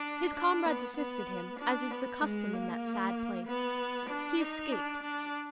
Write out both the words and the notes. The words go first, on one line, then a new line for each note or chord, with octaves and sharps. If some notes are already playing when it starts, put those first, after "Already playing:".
His comrades assisted him, as is the custom in that sad place. He escaped.
Already playing: D4
D4
B3
B3
D4
B3
G#3
A#3
B3
D4
D#4
D4
D4